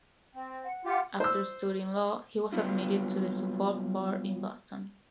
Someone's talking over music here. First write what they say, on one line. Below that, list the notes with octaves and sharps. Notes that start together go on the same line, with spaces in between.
After studying law, he was admitted to the Suffolk Bar in Boston.
C4
F#5
F4 G4 F#5
C5 E6
F#3 G3 B3 E4 F4